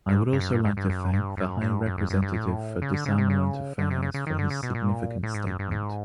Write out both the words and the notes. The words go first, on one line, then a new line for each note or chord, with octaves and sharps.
I would also like to thank the High Representative for Disarmament Affairs for his significant statement.
G#2
G2
F#2
G2
G2
G2
F#2
G2
F#2
G2
F#2
F2
F#2
G2
A2
C#3
D3
C#3
C3
C#3
D3
C3
C#3
C#3
D#3
D3
C#3
B2
A#2
A2
G#2
F#2
G2
G#2